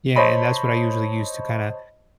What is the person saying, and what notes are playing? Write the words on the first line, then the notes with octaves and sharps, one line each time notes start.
yeah, and that's what I usually use to kinda,
C5 C#5 D#5 A5 B5 C6